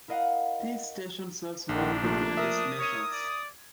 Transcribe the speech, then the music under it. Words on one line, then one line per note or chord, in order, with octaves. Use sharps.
This station serves many popular destinations.
E4 A#4 D#5 F5 F#5
A#1 D3 D#3 D4
C3 F3 A3 A#3
A#4 E5 D#6
C#5 G#6 D#7
D5